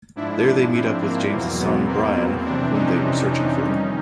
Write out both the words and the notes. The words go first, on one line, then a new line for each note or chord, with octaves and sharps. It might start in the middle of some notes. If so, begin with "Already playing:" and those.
There they meet up with James' son, Brian, whom they were searching for.
G#2 F3 D4 E4
D4 E4
C4 D4
A#3 C4
E2 B2 F#3
B3
A#3 C4
F2 C3 E3 C4 D4
C#4 D#4
C#4 D#4
F2 C3 D#3 G3